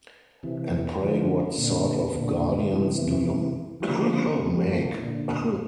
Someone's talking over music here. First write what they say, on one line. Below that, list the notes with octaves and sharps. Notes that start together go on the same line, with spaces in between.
And pray what sort of guardians do you make?
C3 E3
D3 F3
A#2 D3
A#2 D3
D3
C3 E3
E3
D3 F3
A3
G3
F3 A3
E3
A#2 D3